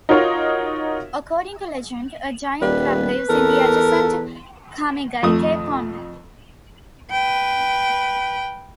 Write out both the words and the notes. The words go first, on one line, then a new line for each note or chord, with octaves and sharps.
According to legend, a giant crab lives in the adjacent Kamegaike Pond.
D#4 F4 F#4 A#4 C#5
D#1 G3 B4
E2 A4 A#4
F2 A3 D#6
B4 G5